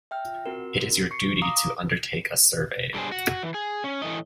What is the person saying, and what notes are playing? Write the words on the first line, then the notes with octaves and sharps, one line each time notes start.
It is your duty to undertake a survey.
E5 G5 F6
F4
C4 F#4 A#4
C#6 C7 C#7
F5 A#5 D6 D#6
D3 G3 D4 G4 G#4 C5
F#4
E3
G#4
C#4
A2 E3 A3 D#5